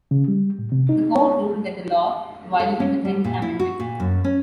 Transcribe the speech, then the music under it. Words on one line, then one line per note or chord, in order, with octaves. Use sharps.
The court ruled that the law violated the Tenth Amendment.
C#3
G3
A2
C3
D#4
C#5
A4
C#4
G3
A#2
E4
F#4
A#2
F#2
C#4